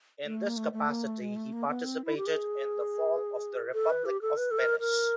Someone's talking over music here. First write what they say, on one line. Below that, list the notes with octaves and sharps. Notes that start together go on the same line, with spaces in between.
In this capacity he participated in the fall of the Republic of Venice.
A3
A#3
A3
A3
A#3
A3
G#3
A3
A#3
B3
C4
E4
G4
G#4
A4
B4
G4
A4
B4
A4
A#4
A#4